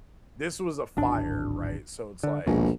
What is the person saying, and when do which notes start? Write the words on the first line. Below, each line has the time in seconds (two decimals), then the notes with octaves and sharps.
This was a fire, right? So it's like,
0.97 D1 G#1 D4
2.23 D3
2.46 A#1 D#2 B2 G#3